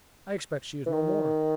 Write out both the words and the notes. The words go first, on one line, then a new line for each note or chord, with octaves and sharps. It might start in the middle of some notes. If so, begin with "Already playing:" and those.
"I expect she is no more."
E3
D#3